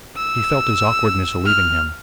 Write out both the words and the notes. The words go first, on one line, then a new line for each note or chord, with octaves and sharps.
He felt his awkwardness leaving him.
E6
F6